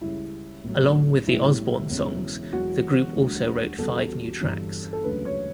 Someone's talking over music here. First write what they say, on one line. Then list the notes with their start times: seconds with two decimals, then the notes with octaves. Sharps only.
Along with the Osbourne songs, the group also wrote five new tracks.
0.01 C#2 C#3 G3 E4
0.64 B1 A2 F#3
1.27 B1 A2 G3 E4
1.90 E1 E2 C#3 F#3
2.53 E1 E2 B2 F#3 F#4
3.15 D2 D3 G3
3.78 E2 C#3 G3 A4
4.40 G1 G2 E3
4.93 A4
5.04 E1 D2 C#3 F#3 B4
5.25 C#5